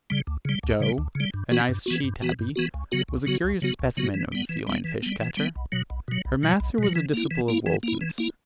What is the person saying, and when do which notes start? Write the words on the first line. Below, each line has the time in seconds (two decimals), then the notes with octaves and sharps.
Joe, a nice she-tabby, was a curious specimen of the feline fish-catcher. Her master was a disciple of Walton's.
0.10 C#3 G3
0.27 D2
0.45 C#3 G3
0.63 D2
0.80 C#3 G3
0.98 D2
1.15 C#3 G3
1.34 G2
1.51 E3 B3 F#4
1.69 G2
1.86 E3 B3 F#4
2.04 G2
2.22 E3 B3 F#4
2.39 G2
2.56 E3 B3 F#4
2.74 C#2
2.92 C#3 F#3 B3 F#4
3.08 C#2
3.27 C#3 F#3 B3 F#4
3.44 C#2
3.62 C#3 F#3 B3 F#4
3.79 C#2
3.97 C#3 F#3 B3 F#4
4.14 E3
4.32 G3 B3
4.49 E3
4.67 G3 B3
4.84 E3
5.02 G3 B3
5.20 E3
5.37 G3 B3
5.56 B1
5.72 B2 F#3
5.90 B1
6.08 B2 F#3
6.25 B1
6.43 B2 F#3
6.60 B1
6.78 B2 F#3
6.96 E3
7.14 A#3 E4
7.31 E3
7.48 A#3 E4
7.66 E3
7.83 A#3 E4
8.01 E3
8.18 A#3 E4